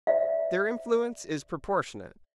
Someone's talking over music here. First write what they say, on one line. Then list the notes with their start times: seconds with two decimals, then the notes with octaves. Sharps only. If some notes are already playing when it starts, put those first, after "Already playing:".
Their influence is proportionate.
0.07 C5 D5 E5 F5